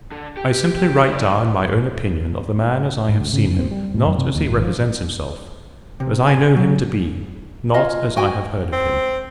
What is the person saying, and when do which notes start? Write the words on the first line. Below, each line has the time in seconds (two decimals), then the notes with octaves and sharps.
I simply write down my own opinion of the man as I have seen him, not as he represents himself; as I know him to be, not as I have heard of him.
0.11 D3
0.37 G4
0.76 G4
1.08 E4 D5
3.08 G#2
3.20 D2
3.33 C#3
3.46 F#2
3.59 C4
3.71 G3
3.94 A2
4.06 F#2
4.18 C3
4.35 D#2
4.50 G#1
4.62 F3
6.00 C3
6.27 G#5
6.56 F#3
7.74 F4 C#5 D#5
8.16 F#4 G5 G#5
8.73 C4